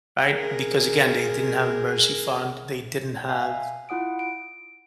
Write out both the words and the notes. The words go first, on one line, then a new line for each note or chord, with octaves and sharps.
Right? Because again, they didn't have an emergency fund, they didn't have
G#4 A#4
E5 F5 G#5
E4 F4 F#5 D#6 D7
D7